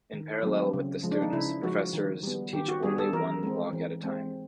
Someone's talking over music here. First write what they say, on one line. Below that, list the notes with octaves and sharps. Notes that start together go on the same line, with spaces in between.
In parallel with the students, professors teach only one block at a time.
D#3
F#3 A3 C4
C#3
F3 G#3
D4
D#4
C#3 E4
F3 G#3 F#4
D#3
G3 B3
D#3 G4
F#4
G3 B3 G#4
A4
E3 A#4
G#3 C4
E3
G#3 C4